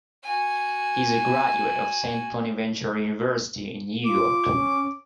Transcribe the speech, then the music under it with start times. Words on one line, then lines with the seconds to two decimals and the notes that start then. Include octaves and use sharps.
He is a graduate of Saint Bonaventure University in New York.
0.23 F#4 G#5
4.05 F4 D6
4.52 C#4